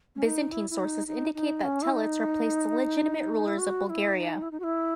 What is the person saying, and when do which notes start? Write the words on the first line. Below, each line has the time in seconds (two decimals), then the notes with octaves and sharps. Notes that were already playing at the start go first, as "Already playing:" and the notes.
Byzantine sources indicate that Telets replaced the legitimate rulers of Bulgaria.
0.16 C#4
0.24 D#4
0.52 E4
0.70 E4
0.79 D#4
1.07 D#4
1.34 D#4
1.63 C#4
1.83 E4
1.91 D#4
3.47 E4
3.58 F#4
3.86 F#4
3.90 E4
4.14 D#4
4.42 E4
4.51 D#4
4.60 F#4
4.64 E4